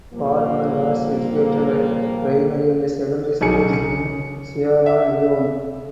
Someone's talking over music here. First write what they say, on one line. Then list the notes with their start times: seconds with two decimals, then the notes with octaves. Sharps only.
Palmer was educated at primary and secondary schools in Sierra Leone.
0.12 A#2 F3 G3 A#3
3.41 B1 D#4 G#4 G#5 C#7
3.69 C#3 C#7
4.86 E5